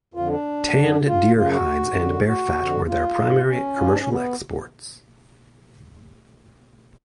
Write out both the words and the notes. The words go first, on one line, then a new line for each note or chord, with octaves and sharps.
Tanned deer hides and bear fat were their primary commercial exports.
F2 D3 F4
D4
F#2 D3
F4
F#2 C#3 F4
F#4
F#2 D3
F#4
F2 D3
F4
G#2
C#4
G#2 F4
D4
C#4
B3